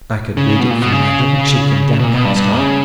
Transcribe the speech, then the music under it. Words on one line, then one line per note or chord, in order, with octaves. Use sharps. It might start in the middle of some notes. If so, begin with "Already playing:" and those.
I could read it from thy reddened cheek and downcast eye.
C#3
B2
A#2
B2
C#3
B2
A#2
B2
G2
G2
C#3